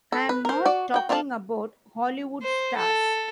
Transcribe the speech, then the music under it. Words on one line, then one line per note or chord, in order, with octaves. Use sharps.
I'm not talking about Hollywood stars.
A4
B4
A#4 C5
F#4 D5
F#4 G5
C4 F4 A4 C#5 A5
C5
A4